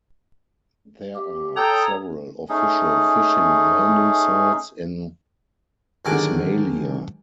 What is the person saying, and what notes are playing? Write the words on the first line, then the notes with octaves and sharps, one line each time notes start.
There are several official fishing landing sites in Ismailia.
G4
A4 C#5 G5 A#5 D#6
A3 C#4 D#4 G#4
D#2 G#2 D3 F#3 G#5 D6